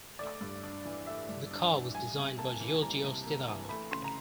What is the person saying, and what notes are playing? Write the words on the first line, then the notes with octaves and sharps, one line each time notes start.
The car was designed by Giorgio Stirano.
A3 D5
G2
D4
E3
A3 E5
G2
D4
E3
G3 G#5
C3
A#3 A5
E3
G3 A#5
C3
A#3
E3
A3 B5
C#3 C6
A#5